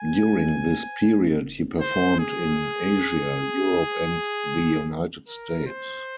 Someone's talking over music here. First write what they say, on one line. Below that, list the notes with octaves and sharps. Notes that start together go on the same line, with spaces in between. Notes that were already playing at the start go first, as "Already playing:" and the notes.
During this period he performed in Asia, Europe and the United States.
Already playing: G#5
C5
G#4
A#4
C5